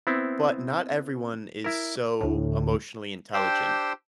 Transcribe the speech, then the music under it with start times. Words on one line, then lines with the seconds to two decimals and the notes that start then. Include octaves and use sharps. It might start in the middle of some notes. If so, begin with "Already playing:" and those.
But not everyone is so emotionally intelligent.
0.07 B3 C4 E4
1.64 E4 A#4
2.21 D2 A2
3.34 D4 G4 C5 G5 C6 E6